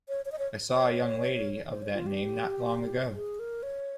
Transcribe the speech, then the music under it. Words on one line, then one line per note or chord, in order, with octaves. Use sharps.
I saw a young lady of that name not long ago.
C#5
C#5
D#5
C#5
C#5
C5
C#5
F4
G4
G#4
A#4
C#5